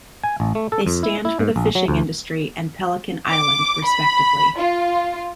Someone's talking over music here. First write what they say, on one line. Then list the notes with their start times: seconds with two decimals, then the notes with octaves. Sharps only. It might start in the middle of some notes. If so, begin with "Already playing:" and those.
They stand for the fishing industry and Pelican Island, respectively.
0.24 G#5
0.40 A1
0.55 A3
0.72 A4
0.86 F2
1.03 E4
1.25 E4
1.39 G#2
1.56 A#1
1.75 F#3
1.88 D2
3.32 D6
3.85 B5
4.58 F4